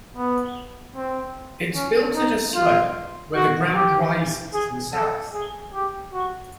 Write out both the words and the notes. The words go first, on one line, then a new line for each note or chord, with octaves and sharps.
It is built at a slope, where the ground rises to the south.
B3
C4
C#4
D#4
F4
F#4
G4
G#4
A4
G#4
G4
F#4